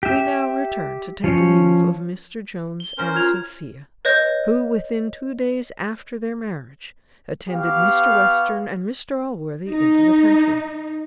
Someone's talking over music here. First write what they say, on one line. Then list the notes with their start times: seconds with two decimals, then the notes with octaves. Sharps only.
We now return to take leave of Mr Jones and Sophia, who, within two days after their marriage, attended Mr Western and Mr Allworthy into the country.
0.03 G4 E5
1.24 F3 C#4 C#5
2.80 G7
2.98 C#4 A#4 C5
3.15 F4 G#6 F7
4.05 B4 C#5 D#5 G6
7.50 B3 G4 C#5 F5
9.70 D#4